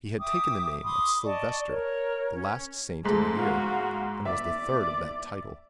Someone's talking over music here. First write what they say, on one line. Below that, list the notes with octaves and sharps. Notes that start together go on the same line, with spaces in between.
He had taken the name of Silvester, the last saint in the year, and was the third of that title.
E5 G5 D6 D#6
B5 C6 D6 D#6
D5 D#5 A5 C#6
A#4 C#5
C#4
G#2 G#3 A3
F#4 F5
D5 E5